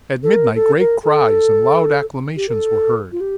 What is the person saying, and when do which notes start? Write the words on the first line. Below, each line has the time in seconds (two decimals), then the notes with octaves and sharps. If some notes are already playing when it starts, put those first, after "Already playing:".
At midnight great cries and loud acclamations were heard.
0.23 A4
0.31 A#4
0.54 A4
0.79 A#4
1.03 A4
2.36 G4
2.48 A#4
2.52 A4
3.12 F4
3.20 G4